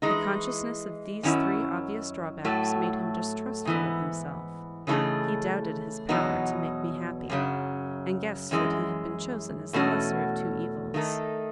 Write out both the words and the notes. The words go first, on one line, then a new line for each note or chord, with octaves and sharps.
The consciousness of these three obvious drawbacks made him distrustful of himself; he doubted his power to make me happy, and guessed that he had been chosen as the lesser of two evils.
E3 G#3 D#4
F#2 D#3 F#3 C#4 E4
A2 F#3 A3
G#2 E3 B3
C#3 E3 A3 D#4 G#4
E2 B2 F#3 B3 D#4
F#2 C#3 F#3
F#2 E3 G#3
E2 B2 A3 C#4 F#4
D#3 A3 D#4